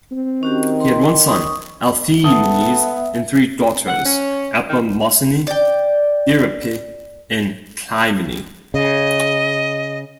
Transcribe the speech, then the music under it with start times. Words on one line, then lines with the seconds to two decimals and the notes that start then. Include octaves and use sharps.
He had one son, Althaemenes, and three daughters, Apemosyne, Aerope and Clymene.
0.12 C4
0.43 D#3 C#4 F#4 G4
0.80 C6
1.27 C#6 D#6
2.24 B3 A4 E5 D#6
3.87 F#5
4.05 C#4
4.69 D#3
5.47 D5 G5
8.74 C#3 D#5